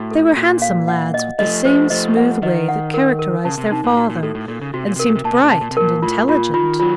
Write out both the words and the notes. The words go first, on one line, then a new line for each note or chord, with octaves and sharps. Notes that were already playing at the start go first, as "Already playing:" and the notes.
They were handsome lads, with the same smooth way that characterized their father, and seemed bright and intelligent.
Already playing: A2 F#4
A4
A#2 F#4
F5
F#5
D#5
F3 A3 D#5
F3 A3 C5
F3 A3 D#5
F#5
D#3 D#5
F#5
A#4
A#4
C#3 A5
C3
C3 D#4
A#2
A#2 F#4
A#2
A2 A4
A2
A#2 A4
C#3
C3 F#4
A#2
C3 A#4
A#2
C3
A#2 A5
C3
A#2
C3 A5
A#2
C3
A#2 A#4
A2 F4
A#2 F4
D#3 F4
D#3 F#3 F4